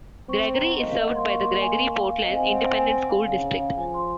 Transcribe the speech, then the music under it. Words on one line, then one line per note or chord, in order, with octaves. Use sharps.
Gregory is served by the Gregory-Portland Independent School District.
C4 C#6
C6
A#5
F#5
A#3 D#5
F5
F#5
C6
C#6
C6
C#6
G#5
G#5
F5
F5
D#5
C4 F5
G#5
F#5
F#5
F#5
G#5
F#5
F5
C#3 F5
F5
F3 G#5
C6